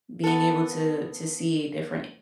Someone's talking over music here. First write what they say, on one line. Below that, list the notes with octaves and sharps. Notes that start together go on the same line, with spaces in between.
being able to to see different a
B3 A4